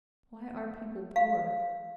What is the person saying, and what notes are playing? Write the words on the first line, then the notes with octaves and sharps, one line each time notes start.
Why are people poor?
F5